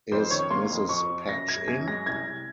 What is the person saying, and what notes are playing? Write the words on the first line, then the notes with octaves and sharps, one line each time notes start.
Is Mrs. Patch in?
F2 C5
D#3 C#5
A#3 C6
F2
F2 C#6
F2
F#2 A#6
F#2 G#6
F#2 G#6
G#3 A#6
C2 G#6
C2